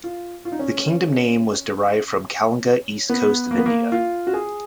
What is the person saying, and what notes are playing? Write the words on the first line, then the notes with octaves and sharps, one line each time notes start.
The kingdom name was derived from Kalinga east coast of India.
F4
F4
D#4
C#4
B3
A#3
B3
A#3
F4
F#4
G#4